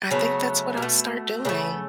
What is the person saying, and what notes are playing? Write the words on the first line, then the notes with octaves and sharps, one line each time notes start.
I think that's what I'll start doing.
C#3 F#3 A3 B3
B2 A3
C#3 F3 A3 B3